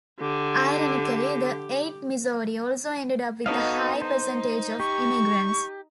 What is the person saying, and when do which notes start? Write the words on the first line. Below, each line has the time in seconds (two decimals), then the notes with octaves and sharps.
Ironically, the Eighth Missouri also ended up with a high percentage of immigrants.
0.21 D3 G4
3.46 B3 D#4 F#4 A4 D#5 F5
4.02 D#4 C5
4.80 G4 C#6